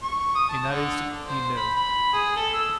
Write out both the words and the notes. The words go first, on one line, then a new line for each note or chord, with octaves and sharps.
In that instant he knew.
C#6
D#6
A5
D3
C5
B5
B5
G#4
A4
E6